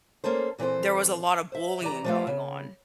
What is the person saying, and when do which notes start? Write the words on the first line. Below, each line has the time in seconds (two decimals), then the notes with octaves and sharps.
there was a lotta bullying going on,
0.24 A#3 C#4 A4 C5
0.58 A#2 E3 C4 A4 C5
1.52 C5 E5
1.81 E3 G4 D5 A#5
2.04 F3 G3 A3 B3 F4 F5
2.27 C#3